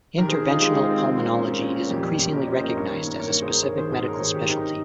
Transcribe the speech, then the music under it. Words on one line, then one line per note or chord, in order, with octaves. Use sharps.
Interventional pulmonology is increasingly recognized as a specific medical specialty.
D#3 G4 A#4
G#4 C5
D#3
D#4 F4 G#4
G#3 G4
D#4
F4
C4
G#3
A#2
C#4
A#2
C#4
A#2
F2 G4
C#4
G4
F2
A#3 G4 A#4
C#4
C5 D#5
A#3
G2 A#4 C#5
D#3
A#3
A#3 A#4 C#5
G2
G#4 C5
A#3
D#3 A#4 C#5
D#3 G#4 C5
G#2 G#4 C5
G#2 A#4 C#5
C#5
D#3 G#4 C5
D#3 G4 A#4
D#4 G4 A#4
D#4